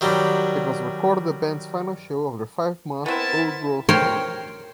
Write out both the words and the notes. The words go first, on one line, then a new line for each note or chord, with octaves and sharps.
It was recorded at the band's final show of their five-month "Old Growth" tour.
D#3 F#3 G3
B3 C4 E4 A#4 A5
A#4 C5 C#5 F5 G5 C6